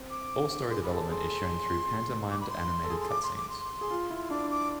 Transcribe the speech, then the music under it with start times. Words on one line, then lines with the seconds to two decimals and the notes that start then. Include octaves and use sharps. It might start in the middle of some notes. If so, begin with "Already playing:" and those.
All story development is shown through pantomimed animated cutscenes.
Already playing: C4
0.10 D6
0.69 G#4 C6
0.84 G#4 B5
0.90 A4
0.96 A5
1.09 G#4 C6
2.31 D6
2.41 B5
2.49 C6
2.84 A4
2.90 G#4
3.00 C6
3.10 D6
3.23 C6
3.37 D6
3.50 C6
3.81 G#4
3.90 F4
4.11 E4
4.25 C6
4.30 D4 D6
4.51 D6